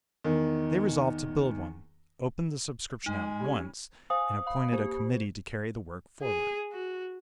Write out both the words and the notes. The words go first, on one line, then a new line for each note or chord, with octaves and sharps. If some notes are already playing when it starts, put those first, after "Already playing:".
They resolved to build one, opened the subscription at once, and appointed a committee to carry the work forward.
E2 D#3
G#3 D#4 G#5
G3 C#4
C5 F5 G#5 D#6
F5 B5
A#3 G4 C5
G#4
F#4